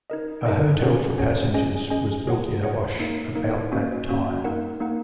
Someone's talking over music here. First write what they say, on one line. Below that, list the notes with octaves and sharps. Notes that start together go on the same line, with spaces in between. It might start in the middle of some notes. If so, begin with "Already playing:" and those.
A hotel for passengers was built in Awash about that time.
D#4 A#4 D#5
D#4 A#4 D#5
C#4 G#4 C#5 F#5
C#4 G#4 C#5 F#5
C#4 G#4 D#5 G#5
C#4 G#4 D#5 G#5
G#4 C#5 F#5
G#4 C#5 F#5
A#3 D#4 A#4
A#3 D#4 A#4
A#3 C#4 F#4
A#3 C#4 F#4
A#3 D#4 A#4 F#5
A#3 D#4 A#4 F#5